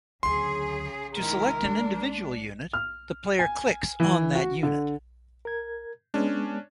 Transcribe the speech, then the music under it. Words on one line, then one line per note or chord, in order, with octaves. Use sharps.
To select an individual unit, the player clicks on that unit.
D2 C#3 F#3 G#4 C6
C3 D#3 G#3 E4 A#4
G#3 A#3 D4
F6
G#5
E3
F#4
D3
A#4 G#6
G#3 B3 C#4 D4